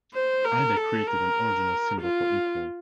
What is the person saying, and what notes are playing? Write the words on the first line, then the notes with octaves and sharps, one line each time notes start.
Aida created an original symbol for "equal".
C5
A#4
A4
A#4
F4